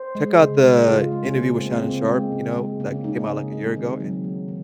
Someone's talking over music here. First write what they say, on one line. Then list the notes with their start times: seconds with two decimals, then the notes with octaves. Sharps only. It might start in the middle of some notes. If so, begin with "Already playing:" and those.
check out the interview with Shannon Sharpe, you know, that came out, like, a year ago, and
Already playing: C5
0.15 G#3
0.39 C#3
0.64 G#3
0.88 C#3 F4
0.99 F4
1.12 G#3
1.24 C#4
1.35 C#3 A#3
1.47 A#3
1.60 G#3 C4
1.72 A#3
1.83 C#3 C4
2.08 G#3
2.32 C#3
2.56 G#3
2.80 C#3 A#3
2.92 C#4
3.04 G#3 D#4
3.16 C#4
3.28 C#3
3.52 G#3
3.75 D#3 C4
4.00 F#3
4.24 A#3
4.48 D#3